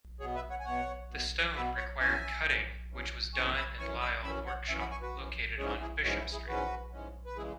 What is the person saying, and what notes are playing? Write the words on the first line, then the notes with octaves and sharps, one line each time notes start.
The stone required cutting which was done in Lyall workshop located on Bishop Street.
B2 B3 G#4 C#5
B4 E5
C#5 F#5
G#5
B2 B3 C#5 F#5
B2 B3
B2 B3 B4 E5
C#5 F#5
E2 E3 C#4 E5 G#5
E2 E3 C#4
E2 E3 C#4
E2 E3 C#4 G#5 C#6
B5 E6
F#2 E3 C#4 G#5 C#6
B5 E6
F#2 E3 C#4 B5 E6
C#5 F#5
F#2 E3 C#4 E5 G#5
F#5 B5
G#5 C#6
F#4 B4
F#2 E3 C#4
G#2 E3 G#3 C#4 G#4 C#5
E4 G#4
G#2 E3 G#3 C#4 F#4
E4
E4 G#4
G#2 E3 G#3 C#4 F#4 B4
G#2 E3 G#3 C#4
B4
C#3 E3 G#3 E4 G#4